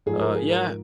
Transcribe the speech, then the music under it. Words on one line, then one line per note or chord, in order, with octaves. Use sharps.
Uh, yeah,
G#2 F3 G#4
A#4
G#4
A#4